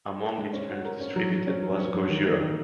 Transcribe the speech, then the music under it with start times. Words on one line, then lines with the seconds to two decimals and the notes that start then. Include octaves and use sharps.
Among its films distributed was "Gojira".
0.22 A#4
0.38 G#3
0.53 C#4
0.70 F#4
0.85 A#4
1.00 C#4
1.16 F#3
1.31 F#3
1.47 C#4
1.63 F#3
1.78 C#4
1.94 F#3
2.10 D#3
2.25 A#3
2.41 D#3